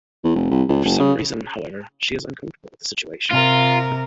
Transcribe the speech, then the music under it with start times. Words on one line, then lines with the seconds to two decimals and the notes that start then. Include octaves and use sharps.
For some reason, however, she is uncomfortable with the situation.
0.24 E2
0.36 F1
0.51 C2
0.69 C#2
0.85 F#1
1.00 C#3
3.31 C3 F4 A#4